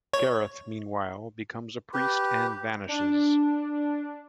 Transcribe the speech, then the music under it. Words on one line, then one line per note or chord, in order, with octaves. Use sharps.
Gareth, meanwhile, becomes a priest and vanishes.
C#5
G4 B4
D4